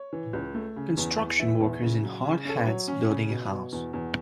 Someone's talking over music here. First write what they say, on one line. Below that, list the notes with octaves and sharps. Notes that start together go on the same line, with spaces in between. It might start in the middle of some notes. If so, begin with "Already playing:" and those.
Construction workers in hard hats building a house.
Already playing: C#5
E3
C#2
A3
C#3
E2
E2
E3 E5
E2
C#3
F#3
C#3
C#4 A4
B4
F#3 C#5
C#4
C#3
B2
B2
E2
E2